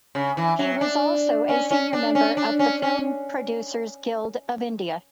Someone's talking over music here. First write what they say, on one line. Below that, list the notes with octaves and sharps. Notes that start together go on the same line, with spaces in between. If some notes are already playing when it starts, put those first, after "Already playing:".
He was also a senior member of the Film Producers Guild of India.
C#3
E3
F#3
D4
C#4
C#4
D4
C#4
D4
C#4
C#4